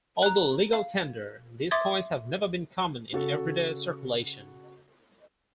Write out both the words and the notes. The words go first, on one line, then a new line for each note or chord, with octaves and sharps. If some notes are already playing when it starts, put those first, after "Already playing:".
Although legal tender, these coins have never been common in everyday circulation.
A#5 F#6
F5
E5 C6 D6 D#6 G#6 A6
C#3 F#4 A4